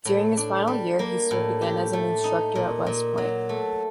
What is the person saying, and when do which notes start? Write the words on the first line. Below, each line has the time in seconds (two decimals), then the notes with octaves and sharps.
During his final year, he served again as an instructor at West Point.
0.05 A2
0.37 D4
0.67 G3
0.99 A#3
1.31 A2
1.62 G4
1.93 A3
2.24 D#4
2.55 A#2
2.87 A#2
3.18 F#3
3.49 A3